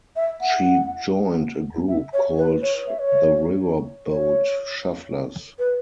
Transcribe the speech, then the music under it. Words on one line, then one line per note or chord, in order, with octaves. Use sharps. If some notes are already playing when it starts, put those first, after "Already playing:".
She joined a group called the Riverboat Shufflers.
E5
F#5
E5
C#5
B4
C#5
E5
C#5
C#5
B4